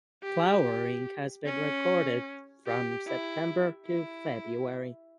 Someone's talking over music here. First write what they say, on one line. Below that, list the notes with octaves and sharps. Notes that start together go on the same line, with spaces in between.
Flowering has been recorded from September to February.
G4
C#4
G4
E4
E4